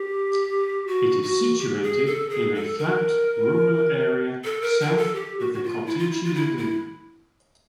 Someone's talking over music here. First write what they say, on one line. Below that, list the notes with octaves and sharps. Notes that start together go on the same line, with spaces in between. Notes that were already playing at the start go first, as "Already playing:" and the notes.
It is situated in a flat, rural area, south of the Kotychi lagoon.
Already playing: G4
F#4
F#4
G4
G#4
A4
G#4
A4
A#4
A4
A#4
A#4
A4
G4
F#4
F#4
F4
E4
F4
E4
F4
E4
E4